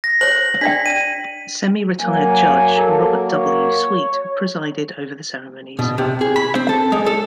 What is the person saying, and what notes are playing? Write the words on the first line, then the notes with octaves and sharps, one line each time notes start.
Semi-retired Judge Robert W. Sweet presided over the ceremonies.
A#6
C5 C#5 F#7
D4 D5 G5 B6
D5 D#7
F#3 A#3 G#5
A4
C#5
B2
C3
G#4
B5
C4
A4
G#3
A4